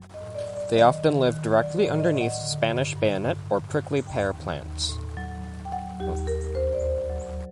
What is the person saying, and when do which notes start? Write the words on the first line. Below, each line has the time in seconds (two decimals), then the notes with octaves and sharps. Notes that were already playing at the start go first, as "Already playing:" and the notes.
They often live directly underneath Spanish bayonet or prickly pear plants.
Already playing: F#2 F#3
0.14 D#5
0.21 A2
0.35 D5
0.48 F#3
0.55 D5
0.76 D#3 D#5
1.04 D#3
1.31 D#3
1.59 F#3 D5
1.79 D5
1.86 A2
2.00 D#5
2.14 A2
2.21 F#5
2.41 D3
2.69 G2
2.96 G2
3.25 A2
3.52 A2
3.79 F#3
4.07 D#2 G5
4.34 D#3
4.62 D#2
4.89 A2
5.17 F#3
5.45 F#3
5.65 G5
5.72 F#3 F#5
6.00 D#2 G4
6.27 D#2 A#4
6.55 D2 C5
6.73 D5
6.82 D2 C5
7.10 F#3